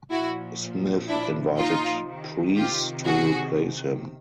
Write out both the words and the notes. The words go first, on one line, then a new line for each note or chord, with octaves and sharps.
Smith invited Preece to replace him.
A#2 F3 E4 F#4
D4 E4
D#4 F4
C3
D#3
F4 G4
F#4 G#4